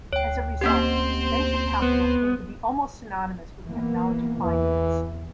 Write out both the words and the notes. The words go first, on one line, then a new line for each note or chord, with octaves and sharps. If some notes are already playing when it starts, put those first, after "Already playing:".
As a result, venture capital came to be almost synonymous with technology finance.
D2 C#5 G5
A#3 C4 C#4 G4 C5
B3
E3 A#3 B3
E2 E3